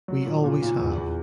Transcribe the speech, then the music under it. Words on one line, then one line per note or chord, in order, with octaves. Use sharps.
We always have.
F#3
A#2
A#2
A#2
E2
E2